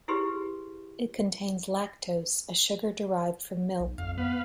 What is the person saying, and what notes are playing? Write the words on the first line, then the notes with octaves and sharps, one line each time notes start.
It contains lactose, a sugar derived from milk.
E4 G4 G#4 B4 C6
B1
F2 F5
B3 B4 F5